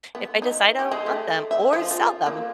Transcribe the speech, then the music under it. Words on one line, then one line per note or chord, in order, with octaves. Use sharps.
if I decide I don't want them or sell them,
B3
D#4
G4
G#3
A3
E5
F3
F4
A#3